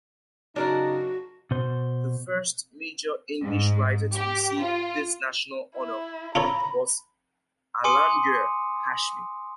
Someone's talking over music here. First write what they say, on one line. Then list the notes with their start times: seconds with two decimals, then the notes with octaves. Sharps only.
The first major English writer to receive this national honour was Alamgir Hashmi.
0.56 F#2 C#3 D4 D#4 F#4 A#4 F#5
1.51 B2 C5
3.44 G#2
4.14 G4
4.61 F4
5.76 E4
6.35 F4 A4 C#5 A#5 B5
7.84 G#5 C6 D6 D#6 C#7 D#7